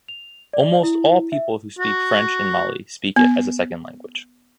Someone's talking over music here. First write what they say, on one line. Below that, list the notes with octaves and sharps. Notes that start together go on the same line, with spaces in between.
Almost all people who speak French in Mali speak it as a second language.
F7
D5
E4
E5
F#4
B3